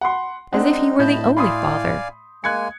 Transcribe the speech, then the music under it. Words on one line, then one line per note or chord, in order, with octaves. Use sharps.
"As if he were the only father."
F#5 B5 C6
G#3 C4 D4 D#4 C5 D#5 F#5
A2 D#5 A5 B5 G6
D5 F5 G#5 B5 C6 D#6
G#3 A#3 G#5 F#6 G#6 C#7